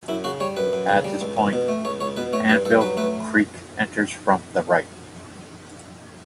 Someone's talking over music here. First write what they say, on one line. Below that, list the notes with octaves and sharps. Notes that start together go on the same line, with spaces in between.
At this point, Anvil Creek enters from the right.
F#2 E4
C#3 F#4
G3 C#5
F#2 B4
F#2
C#3
G3
C#2
C#2
B2
A3
C#2 C#5
C#2 C#5
B2 B4
A3 C#5
G2 B4
G2 A4
F#3 B4
A3 B4